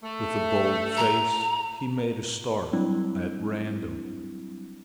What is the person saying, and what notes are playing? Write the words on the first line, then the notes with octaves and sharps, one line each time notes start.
With a bold face, he made a start at random.
A3
A#5
F#3 G3 C4 D4 E4